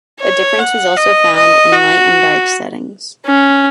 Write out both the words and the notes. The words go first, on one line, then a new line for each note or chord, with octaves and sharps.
A difference was also found in light and dark settings.
C#5
F#5
D#5
D#5
F#4
C#4